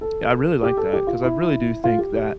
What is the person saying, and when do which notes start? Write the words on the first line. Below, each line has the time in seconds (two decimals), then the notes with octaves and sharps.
Yeah, I really like that 'cause I really do think that
0.01 A4
0.63 G4
0.77 A4
0.93 G4
1.07 F4
1.23 E4
1.84 F4
1.99 G4
2.14 G4